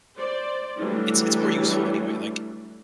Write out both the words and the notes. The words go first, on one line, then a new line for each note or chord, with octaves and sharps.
It's it's more useful anyway, like
C5 D5
E3 F#3 G3 A3 D4